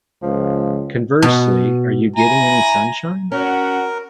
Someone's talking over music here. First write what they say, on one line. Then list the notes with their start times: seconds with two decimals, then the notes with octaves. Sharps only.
Conversely, Are You Getting Any Sunshine?
0.22 C#2 F3
1.22 B2
2.16 E4 G#5 A#5
3.32 C#4 F#4 A#4 F#5